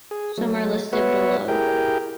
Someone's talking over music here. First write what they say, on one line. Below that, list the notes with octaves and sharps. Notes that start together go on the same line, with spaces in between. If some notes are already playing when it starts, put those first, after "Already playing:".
Some are listed below.
G#4
F#3 A3
B3 F#4 B4 C#5 E5 F#5
E4 G4 G#4 A#4 G5